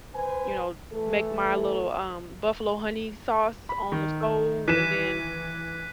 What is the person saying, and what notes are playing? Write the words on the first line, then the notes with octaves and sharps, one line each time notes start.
you know, make my little, um, buffalo honey sauce on the stove, and then,
B4 C5 G#5
E3 A3 A4
B5
D#3
E3 F#6 B6 D#7 E7